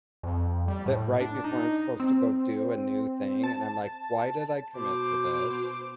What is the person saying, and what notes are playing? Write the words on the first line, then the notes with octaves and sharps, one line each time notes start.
that right before I'm supposed to go do a new thing, and I'm like, "Why did I commit to this?
F2
G3
A2
D4
D#4
C4
A5
B2 C5 D6